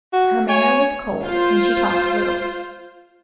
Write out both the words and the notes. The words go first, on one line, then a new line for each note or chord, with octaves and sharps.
Her manner was cold, and she talked little.
F#4
C#5 G#5
F4 C5